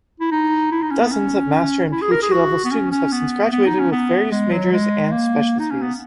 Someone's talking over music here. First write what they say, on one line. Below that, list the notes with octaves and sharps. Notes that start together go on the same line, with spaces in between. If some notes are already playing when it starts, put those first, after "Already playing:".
Dozens of Master and Ph.D-level students have since graduated with various majors and specialties.
E4
D#4
E4
D#4
C#4
B3
C#4
E4
G#4
A#4
G#4
F#4
B3
C#4
C#4
B3
B3
D#4
C#4
B3
G#3
F#3
G#3
A#3
D#4
C#4
B3